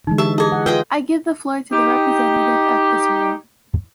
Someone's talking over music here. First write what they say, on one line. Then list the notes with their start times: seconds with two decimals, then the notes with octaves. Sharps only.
I give the floor to the representative of Israel.
0.07 D3 E3 G#3 D#4
0.18 G4 E5 A5
0.38 E4 G#4 D#5 G#5
0.52 F#5
0.66 F4 G#4 B4 D#5 G5
1.72 D#4 G4